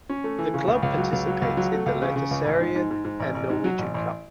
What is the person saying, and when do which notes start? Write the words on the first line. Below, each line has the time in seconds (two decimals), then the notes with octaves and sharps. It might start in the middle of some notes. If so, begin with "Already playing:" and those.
The club participates in the Eliteserien and the Norwegian Cup.
0.09 C#4
0.24 A3
0.39 E3
0.54 C#3
0.68 C#2
0.82 C#2
0.97 F#3
1.12 C#2
1.27 F#3
1.42 C#2
1.57 F#3
1.72 A3
1.86 C#2
2.02 C#3
2.16 C#3
2.31 C#2
2.45 A1
2.60 G#2
2.76 G#2
2.91 G#2
3.05 G#2
3.20 A1
3.35 A1
3.50 G#2
3.64 F#3
3.79 A1
3.94 A1